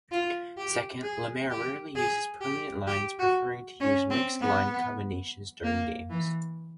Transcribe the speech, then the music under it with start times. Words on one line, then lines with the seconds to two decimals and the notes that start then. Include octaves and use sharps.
Second, Lemaire rarely uses permanent lines preferring to use mixed line combinations during games.
0.12 F4
0.57 G4
1.03 G#4
1.50 G4
1.96 G#4
2.41 G4
2.87 G4
3.19 F#4
3.80 C#4
4.10 C4
4.41 B3
5.64 A#3
6.10 E3